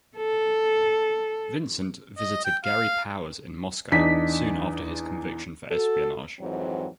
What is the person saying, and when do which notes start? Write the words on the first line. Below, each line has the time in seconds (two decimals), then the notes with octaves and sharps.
Vincent visited Gary Powers in Moscow soon after his conviction for espionage.
0.17 A4
2.18 D#5
2.45 G5
2.64 F5
3.92 E2 D4 D#4 B6
5.70 F#4 A4
6.39 F2 G#2 E3 F#3 C4